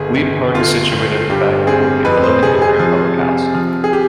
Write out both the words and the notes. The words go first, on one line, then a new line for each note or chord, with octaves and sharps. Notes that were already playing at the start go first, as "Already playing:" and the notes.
Glebe Park is situated at the back of the Lincoln Green public house.
Already playing: G1 G#4
G1
G1 F4
G1
G2 G4
C4 G#4
F2 B4
C5
C3 G#4
G#4
F3
C3
F3
G#4
G4